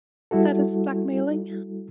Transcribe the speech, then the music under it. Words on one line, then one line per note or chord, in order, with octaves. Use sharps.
That is blackmailing.
G3 E4 F#4 A4